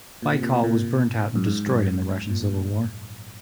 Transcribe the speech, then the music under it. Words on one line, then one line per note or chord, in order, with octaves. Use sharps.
"Baikal" was burnt out and destroyed in the Russian Civil War.
A#2
C3
A#2
A#2
F#2
G#2
F#2
G#2
G#2
A#2
G#2